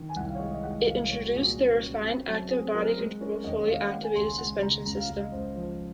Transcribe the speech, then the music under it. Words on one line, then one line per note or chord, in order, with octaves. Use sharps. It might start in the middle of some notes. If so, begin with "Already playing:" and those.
It introduced the refined Active Body Control fully active suspension system.
Already playing: D#3
G#5
C2 F#5
F5
C#5
G#3 D#5
D#5
G#3 F#5
C2 F5
A#2 C#5
F#4
A#2 G#4
F#4
C#4
C#4
C4
F#3
C4 G#4
F#3 A#4
G#3
C#4 A#4
D#2 D#5
D#2 F5
G#3 F#5
G#5
C#2 C6
G#5
G#3 F#5
C#3 A#5
C#2 A#5
F5
C#2 F5
D#5
C#2 C5
F3 C5